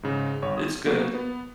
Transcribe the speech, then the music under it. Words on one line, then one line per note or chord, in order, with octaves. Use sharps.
It's good.
G#2 C#3
G1 C#5
D#6
F#3 A#3 B3 F#4
B3